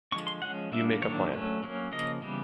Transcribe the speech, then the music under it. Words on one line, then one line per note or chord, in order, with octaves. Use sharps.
You make a plan.
D3 F3 G#3 C4 C#6
C6
F3 G#3 C#4 F#5
G3 A#3 D4 E5
D#3 F#3 A#3 D4 C#5
F#3 A3 C#4
F#3 A#3 C#4
C#3 F3 A#3 D#5
C#3 E3 G3 B3